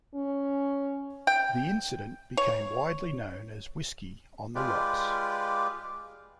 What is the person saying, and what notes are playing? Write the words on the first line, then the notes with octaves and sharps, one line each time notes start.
The incident became widely known as Whiskey on the Rocks.
C#4
G5
C#5
G#3 F4 G4 B4 D5